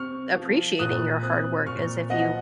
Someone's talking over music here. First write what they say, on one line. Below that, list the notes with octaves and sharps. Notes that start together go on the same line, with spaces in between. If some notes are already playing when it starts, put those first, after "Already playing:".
appreciating your hard work as if you
Already playing: C3 C4 C#6 F6
F3
A#2 D#6 F#6
C4 D#6 F#6
A#2 C#6 F6
F3 D#5 F#5